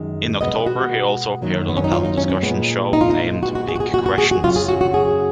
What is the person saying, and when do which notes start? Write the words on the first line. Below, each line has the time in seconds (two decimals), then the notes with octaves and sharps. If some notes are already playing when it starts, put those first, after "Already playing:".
In October he also appeared on a panel discussion show named "Big Questions".
Already playing: F#2 D#3 G#3
0.41 B2 G#3 B3 D#5
0.66 F#4
1.42 F#2 D#3 F#3 A#3
1.69 B3
1.77 C#4
1.84 D#4
1.92 F4
2.05 D#4
2.17 C#4
2.30 C#4
2.42 A#2 G#3 B3
2.93 D#4
3.01 F4
3.10 D#4
3.43 A#2 G#3 B3 F#4
3.55 F#4
3.68 G#4
3.76 F#4
3.80 G#4
3.94 F#4
4.06 F#4
4.18 G#4
4.31 F#4
4.43 F#2 C#3 F#3 F4
4.56 G#4
4.68 F#4
4.81 F#4
4.94 G#4